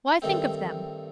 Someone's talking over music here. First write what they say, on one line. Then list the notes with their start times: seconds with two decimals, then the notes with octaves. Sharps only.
Why think of them?
0.22 G2 D#3 A3 C4